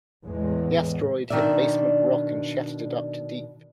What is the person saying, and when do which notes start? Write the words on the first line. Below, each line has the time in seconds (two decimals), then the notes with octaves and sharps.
The asteroid hit basement rock and shattered it up to deep.
0.24 E2 A2 G#3
1.30 B2 D#3 D4 D5 E5